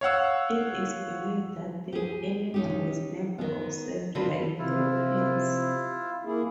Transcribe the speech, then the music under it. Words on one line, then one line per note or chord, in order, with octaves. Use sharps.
It is believed that the animal was never observed by Europeans.
C#5 F5 F#5 E6
G4 G#4
C#4 D#4 G4
D#3 B3
D3 D#3 C4 F4 F#4 B4
C3 E4 F4
A#3 E4 G#4